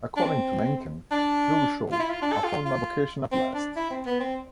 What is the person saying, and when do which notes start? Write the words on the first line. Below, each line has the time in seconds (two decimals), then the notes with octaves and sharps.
According to Mencken: Through Shaw, I found my vocation at last.
0.17 D4
0.23 C4
1.11 D4
1.92 F4
2.00 E4
2.10 F4
2.22 D4
2.33 A4
2.44 F4
2.65 F4
3.32 C4
3.55 D4
3.76 E4
3.91 C4
4.06 B3
4.20 C4